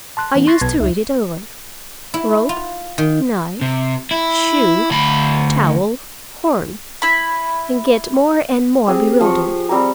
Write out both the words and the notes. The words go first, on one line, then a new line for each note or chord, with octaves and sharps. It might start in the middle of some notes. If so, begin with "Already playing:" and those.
I used to read it over, "rope, knife, shoe, towel, Horn--" and get more and more bewildered.
A5 C6 F#6
E3 B3 C#4 D#4
C6 C#6 F#6 A6 A#6 C7
B1 B2 B3 B4 A5 G#6
C#2 D#4 E5
E4
F4
D#3
C3
E4
D2 B5
E4 B5
C4 G4 G#4
F3 C#6
G3 C4 G4 A#5